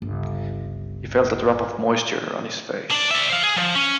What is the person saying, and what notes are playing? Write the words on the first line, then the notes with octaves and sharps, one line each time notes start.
He felt a drop of moisture on his face.
G1 C#2
D4 D5
D5 E5
C5 F5
G#4
F3
C#4